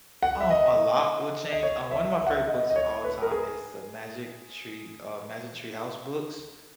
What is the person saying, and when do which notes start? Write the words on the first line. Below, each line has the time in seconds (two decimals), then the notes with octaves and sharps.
Um, a lot would change, um, one of my favorite books of all time is the Magic Tree, uh, Magic Tree House books,
0.23 F#5
0.41 E5
0.50 D#5
1.53 D#5
1.63 C#5
1.91 E5
2.19 E5
2.27 F#5
2.34 E5
2.47 D#5
2.70 D#5
2.76 C#5
3.04 B4
3.22 A#4
3.31 G#4